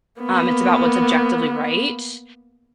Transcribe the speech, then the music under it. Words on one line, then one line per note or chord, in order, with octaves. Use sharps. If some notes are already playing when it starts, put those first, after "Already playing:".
um, it's about what's objectively right.
A#3 B3